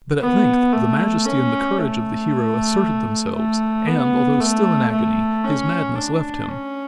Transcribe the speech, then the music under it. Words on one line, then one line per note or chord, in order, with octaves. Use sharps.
But at length the majesty and the courage of the hero asserted themselves, and, although still in agony, his madness left him.
B3
A3
C#4
A3
A3
B3
A3
A3
C#4
D4
C#4